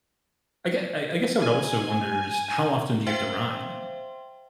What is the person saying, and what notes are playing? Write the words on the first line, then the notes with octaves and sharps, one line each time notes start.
I ge I I guess I would also wonders, how often do you have to rhyme?
G#5
C5 E5 F5 G5 C6